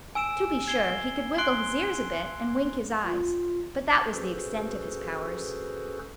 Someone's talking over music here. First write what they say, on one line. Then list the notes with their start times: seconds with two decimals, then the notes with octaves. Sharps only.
To be sure, he could wiggle his ears a bit, and wink his eyes; but that was the extent of his powers.
0.15 G#5 E6 D7 E7
0.68 G#6 C7 G7
1.38 C6 F#6 C7 D7 G7
3.04 F4
4.12 C#4 F#4 G#4 A4 B4 C5